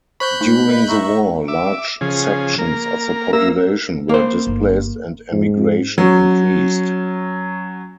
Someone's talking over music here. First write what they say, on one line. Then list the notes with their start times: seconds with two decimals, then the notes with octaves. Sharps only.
During the war, large sections of the population were displaced and emigration increased.
0.20 C5 B5 C#6 F#6 G6
0.41 A3 D#4
0.69 A#4 B4 D#5
0.89 E5 A#5 C#6
1.48 E5 D6
2.01 C#3 F3 G#4
2.59 A#3 A#4
3.33 A#3 E5 A#5 E6
4.09 A#3 C5
4.47 G1 D#4
5.33 G#2
5.98 F#3 C#4